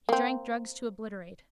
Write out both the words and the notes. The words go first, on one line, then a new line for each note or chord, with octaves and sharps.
He drank drugs to obliterate.
A#3 C4